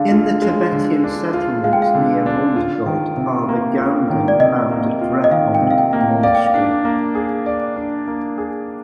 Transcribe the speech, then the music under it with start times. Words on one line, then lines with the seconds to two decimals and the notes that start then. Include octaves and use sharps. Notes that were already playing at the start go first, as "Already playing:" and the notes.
In the Tibetan settlement near Mundgod are the Ganden and the Drepung Monastery.
Already playing: D3 G#3 D4 F5
0.11 F4
0.42 G#3
0.72 D3
1.04 D4
1.34 F4
1.64 G#3 F5
1.73 G5
1.82 F5
1.95 D3
2.26 D4
2.56 F4
2.86 D#3
3.17 C3
3.48 A#3
3.78 F4
4.10 D#3
4.28 D5
4.40 C3 D#5
4.71 A#3
5.01 F4
5.24 D#5
5.31 D#3 F5
5.55 G5
5.62 C3
5.71 F5
5.78 G5
5.93 A#3
6.01 G5
6.23 D5 F5
6.35 G5
6.46 F5
6.54 D4
6.85 A#3
7.15 G#4
7.46 D5
7.76 D4
8.08 A#3
8.38 G#4